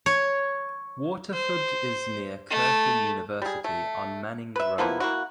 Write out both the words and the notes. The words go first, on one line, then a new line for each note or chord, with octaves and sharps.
Waterford is near Curtin University on Manning Road.
C#5
C5
A3
G3 G#4
A3
B4 E5
F3 A#3 B3 E4
A#3 E4 F#4